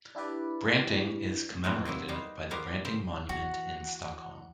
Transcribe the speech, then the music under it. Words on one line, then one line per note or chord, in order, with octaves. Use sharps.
Branting is commemorated by the Branting Monument in Stockholm.
D4 E4 G4 B4 D5
E3 B3 C4 D#4 A#4 B4
C3 F#3 A#3 E4
G3 A#3 B3 D#4 C5 F5
A#3 B3 G4 A#4 C5 F5
C#3 C#4 A#4 C5
E3 F#4 F#5